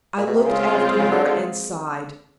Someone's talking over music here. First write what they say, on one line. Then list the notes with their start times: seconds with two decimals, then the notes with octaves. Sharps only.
I looked after her and sighed.
0.17 A#2
0.27 B2
0.36 C3
0.46 C#3 G#3 C4 F4 G#4
0.71 C#3
0.99 C#3
1.12 D3
1.25 D3